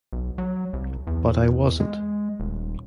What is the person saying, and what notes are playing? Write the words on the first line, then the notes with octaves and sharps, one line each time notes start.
But I wasn't.
B1
F#3
C2
E2
G#3
D#1